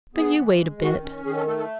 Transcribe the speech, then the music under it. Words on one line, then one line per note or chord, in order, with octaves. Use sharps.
But you wait a bit.
B3 G#4
E3
G#3
D#3 F#4
C#4
D#3 G#4
A4
A3 A4
A4